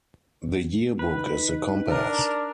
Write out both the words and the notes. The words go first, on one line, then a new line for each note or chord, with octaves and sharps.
The yearbook is "The Compass".
D#4 B4
D4 A#4